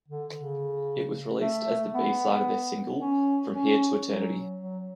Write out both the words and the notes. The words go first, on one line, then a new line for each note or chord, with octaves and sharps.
It was released as the B-side of their single "From Here to Eternity".
D3
C#3
A3
B3
C#4
C#4
F#3
F#3